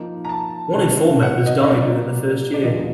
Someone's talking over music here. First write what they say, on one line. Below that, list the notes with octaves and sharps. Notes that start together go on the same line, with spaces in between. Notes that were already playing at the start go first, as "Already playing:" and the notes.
One in four members died within the first year.
Already playing: F3 A#3 D#4
A#5
A5
C3 D#3 F#3 B3
F#5
D#5
D#5
A#2 F#3 A#3 D5
D5
D#2 D3 F3 G#3 B3 D#5